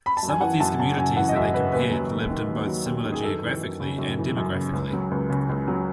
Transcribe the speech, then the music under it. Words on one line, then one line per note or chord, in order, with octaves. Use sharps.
Some of these communities that they compared lived in both similar geographically and demographically.
B5
A5
F#2
G#5
E3 F#5
F#2 A5
C#3 A5
F#2 G#5
E3 F#5
D#5
F#2 E5
C#3 B4
D#2 B4
F#3
D#2
D#3
D#2
F#3
D#2
D#3
G#4
F#2 A4
E3
F#2
C#3
F#2
E3
F#2
C#3
C#2
F#3
C#2
C#3
C#2
F#3